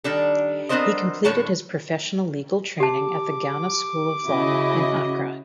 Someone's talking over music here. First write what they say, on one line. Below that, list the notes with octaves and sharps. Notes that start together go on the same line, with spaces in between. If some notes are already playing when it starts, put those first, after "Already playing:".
He completed his professional legal training at the Ghana School of Law in Accra.
D#3 G3 D4 A4
B3 C4 D4 A#4 C5 D#5
A2 D3 C#5 A5
G4 A5 D6
C#3 E4 F#4 D#5